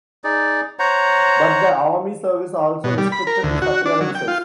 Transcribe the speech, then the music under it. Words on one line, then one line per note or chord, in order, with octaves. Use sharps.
But the army service also restricted his appearances.
D#4 G#4 D5
C5 C#5 F#5 A#5
B2
G3
B5
A#4
D2
F#4
D4
F#3
G5
F4